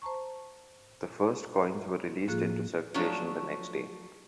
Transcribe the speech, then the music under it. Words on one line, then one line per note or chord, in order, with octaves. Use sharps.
The first coins were released into circulation the next day.
C5 A5 A#5 C#6
A2 F3 A#3 F4 G#4 F#6
F3 F#3 A3 D4 C#5